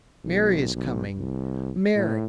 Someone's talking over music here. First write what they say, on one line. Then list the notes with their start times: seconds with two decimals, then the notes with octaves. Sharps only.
Mary is coming! Mary!
0.24 B1
0.74 B1
1.18 C2
1.96 A2